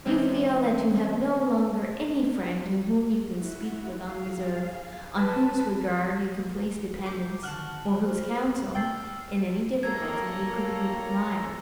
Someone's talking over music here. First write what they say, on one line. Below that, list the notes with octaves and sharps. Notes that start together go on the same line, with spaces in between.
You feel that you have no longer any friend to whom you can speak with unreserve, on whose regard you can place dependence, or whose counsel, in any difficulty, you could rely on.
C3 E3 G#3 C4 C#4
E4 F#4
G#4 F5
B4 A5
A3 D6 G6
D3 D#3 F#4 A5 F6 F#7
C5
G#3 G5 E6 A6 C7
G2 A#3 A4 A#4 C#5 A#5 G#6